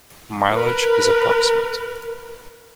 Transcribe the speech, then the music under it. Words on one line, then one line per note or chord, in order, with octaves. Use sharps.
Mileage is approximate.
A#4 B4